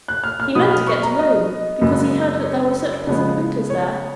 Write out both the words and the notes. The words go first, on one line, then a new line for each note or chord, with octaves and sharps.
He meant to get to Rome, because he heard that there were such pleasant winters there.
F#6
F6
F6
B2 F#3 B3 D#6
F6
C#6
A#5
D#5
F#2 C#3 G#3 B3
C#5
C#3 F3 G#3 B3
C#5